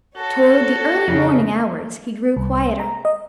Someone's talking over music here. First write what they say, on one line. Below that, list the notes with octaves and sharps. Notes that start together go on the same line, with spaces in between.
Toward the early morning hours he grew quieter.
F#4 A4 C#5
F2 C#3
C2
A#5
D#5